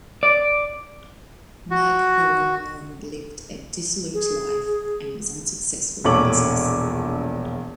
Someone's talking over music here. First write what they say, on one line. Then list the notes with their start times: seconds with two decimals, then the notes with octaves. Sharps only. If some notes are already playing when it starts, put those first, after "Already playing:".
Magheramorne lived a dissolute life, and was unsuccessful in business.
0.23 D5
1.71 F#4
4.14 G#4
6.04 E1 A#1 A4 C#5 D6 F#7